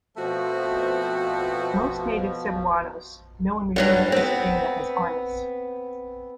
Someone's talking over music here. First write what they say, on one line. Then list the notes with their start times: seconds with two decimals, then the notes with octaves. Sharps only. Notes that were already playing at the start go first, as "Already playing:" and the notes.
Most native Cebuanos know and refer to Eskrima as "Arnis".
0.17 B2 F3 A3 C4 F#4
3.76 G2 F#3 G3
4.12 B3 C4